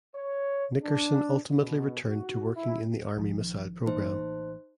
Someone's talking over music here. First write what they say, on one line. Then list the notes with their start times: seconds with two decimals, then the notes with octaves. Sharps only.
Nickerson ultimately returned to working in the Army missile program.
0.15 C#5
0.83 D4
1.60 B2
2.08 F#4
2.56 E4
3.17 A#1 D#3 F3
3.86 A1 E3 A#3 D#4 C5